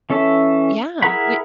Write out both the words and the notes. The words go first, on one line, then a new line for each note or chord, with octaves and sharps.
Yeah, we
E3 C#4 A4 E5
E4 G#4 A#4 F#5 B5